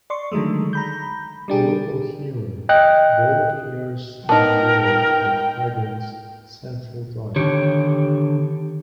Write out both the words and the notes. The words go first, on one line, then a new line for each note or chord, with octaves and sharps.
A local hero, Ball appears in a mural on Creggan's Central Drive.
D5 C6 C#6
D3 D#3 F#3 G#3 A3
A#5 B5 G6
G3 D4 G4 G#4
D#5 G5 F#6
B3 D#4 A#4 G5 A5
D3 D#3 G4 C#5